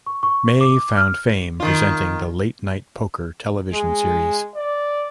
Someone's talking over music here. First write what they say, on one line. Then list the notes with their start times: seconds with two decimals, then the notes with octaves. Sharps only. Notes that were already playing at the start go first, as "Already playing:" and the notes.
May found fame presenting the Late Night Poker television series.
0.06 C#6
0.23 C#6
0.61 D6
0.97 F6
1.60 D#3 F4
3.74 G#3
4.56 D5